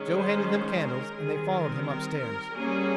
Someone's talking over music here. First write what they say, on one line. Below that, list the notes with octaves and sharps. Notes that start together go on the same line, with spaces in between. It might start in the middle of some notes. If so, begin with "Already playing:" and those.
Joe handed them candles and they followed him upstairs.
Already playing: D#3 G#3 C#4
C5
C5
A#4
D#3 G3 C4 G#4
A#4
A#4
A#4
G3 A#3 C#4 G#4